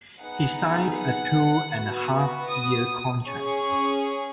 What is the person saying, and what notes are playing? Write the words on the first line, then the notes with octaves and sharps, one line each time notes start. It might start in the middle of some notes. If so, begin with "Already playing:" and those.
He signed a two-and-a-half-year contract.
B3 D#4 G#4 F#5
F#5
B3 F#4
D#6
C#4 G#4 C#6